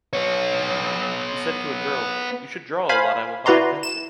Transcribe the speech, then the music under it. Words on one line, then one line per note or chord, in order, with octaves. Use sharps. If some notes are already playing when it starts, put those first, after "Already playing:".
He said to a girl, “You should draw a lot I will buy a pencil”.
B3 C#5
C5 F5 G#5 B5
E4 F#4 B4 D5 A#5 C6
E7